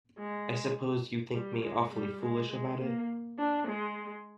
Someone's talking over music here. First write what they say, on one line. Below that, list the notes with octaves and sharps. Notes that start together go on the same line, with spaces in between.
I suppose you think me awfully foolish about it?
G#3
G3
G#3
G3
G#3
G#3
A#3
D4
G#3